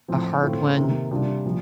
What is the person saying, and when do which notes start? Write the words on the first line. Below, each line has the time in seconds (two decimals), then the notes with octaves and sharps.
a hard one
0.08 A2 F3 C4
0.42 A2 A3 C4 F4
0.77 C3 D#3 A#3
1.11 C3 G3 D4 F4
1.45 A#2 F3